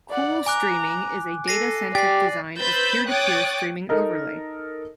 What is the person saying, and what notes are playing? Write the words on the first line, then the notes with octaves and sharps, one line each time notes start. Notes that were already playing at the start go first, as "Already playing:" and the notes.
Coolstreaming is a data-centric design of peer-to-peer streaming overlay.
D5 F#5
G#5 A#5 D6 F#6
A4 A#6 C7 D#7
G4 D5 A6 C7
B4 C5 B5 E6 G6 A6
C#5 G5 D6 D#6 F#6 A6
D#4 A4 A#4 D#5